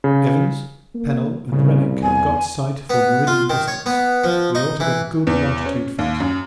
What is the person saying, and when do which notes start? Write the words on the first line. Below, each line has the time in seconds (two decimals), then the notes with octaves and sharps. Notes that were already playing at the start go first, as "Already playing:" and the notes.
Evans, Pennell, and Rennick have got sight for meridian distance; we ought to get a good longitude fix.
0.04 C#3
0.94 A#3
1.52 C2 C#3
2.03 E2 G#5
2.90 B3
3.27 F4
3.50 D#3
3.68 C#5
3.86 B3
4.24 F3
4.55 D#4
4.80 E3
5.27 E2
5.65 C#4
5.99 D#2
6.20 F#2